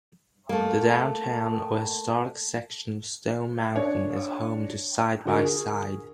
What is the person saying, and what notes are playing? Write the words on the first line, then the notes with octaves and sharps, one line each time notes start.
The Downtown or Historic section of Stone Mountain is home to Side By Side.
A3 A#3
D4 C#5 D5
D3 F#4 A#4
G#4